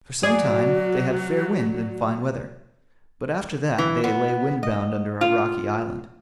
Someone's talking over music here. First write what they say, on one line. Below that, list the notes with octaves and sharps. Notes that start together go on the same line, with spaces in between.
For some time they had fair wind and fine weather, but after that they lay wind-bound under a rocky island.
F#3 F#4 G#4 D5
E3
B3
D#5
F4